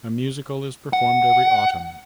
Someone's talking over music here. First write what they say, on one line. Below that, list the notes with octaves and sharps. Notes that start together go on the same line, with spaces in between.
A musical is performed every autumn.
F#5